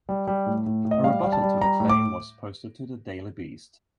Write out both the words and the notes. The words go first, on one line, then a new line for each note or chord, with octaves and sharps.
A rebuttal to the claim was posted to The Daily Beast.
G3
G3
A2
A2
A2
D#5
G3 F5
G3
A5
G3
G3 A#5
A2
D6